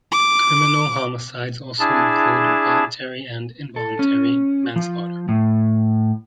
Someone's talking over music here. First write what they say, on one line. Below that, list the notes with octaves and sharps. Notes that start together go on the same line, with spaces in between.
Criminal homicides also include voluntary and involuntary manslaughter.
D6
D4 E4 G#4 A5
A4
C#4
F3
A2